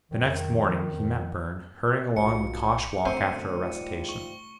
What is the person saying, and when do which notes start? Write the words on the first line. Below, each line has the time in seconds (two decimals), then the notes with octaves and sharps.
The next morning he met Burne hurrying along McCosh walk after a recitation.
0.11 F2 D#3
2.17 B1 D#3 F4 F#4 C#7
3.05 B2 D3 A3 C4 C#7 D#7
3.62 G3 D#4 F4
4.09 C#6 G7